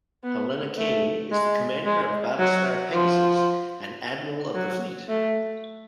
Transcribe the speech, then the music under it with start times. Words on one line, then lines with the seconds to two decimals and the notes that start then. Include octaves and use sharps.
Helena Cain is the commander of Battlestar "Pegasus" and Admiral of the fleet.
0.24 B3
0.78 A3
1.31 G#3
1.85 G#3
2.39 F#3
2.93 F3
4.55 F#3
5.08 A3